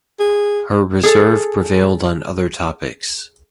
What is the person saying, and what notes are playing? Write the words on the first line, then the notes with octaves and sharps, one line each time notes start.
Her reserve prevailed on other topics.
G#4
G#4 A4